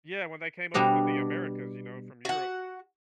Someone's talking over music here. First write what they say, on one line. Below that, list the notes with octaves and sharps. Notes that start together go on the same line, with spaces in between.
Yeah, when they came over to the Americas, you know, from Europe,
B2 G3 B3 D4 A#5
F#4 F#5